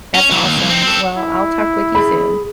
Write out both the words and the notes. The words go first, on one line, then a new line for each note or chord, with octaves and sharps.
That's awesome. Well, I'll talk with you soon.
C#4
E3 F#3
D#2
C2
C4 D#4
C4 A4
E4
G#4 B5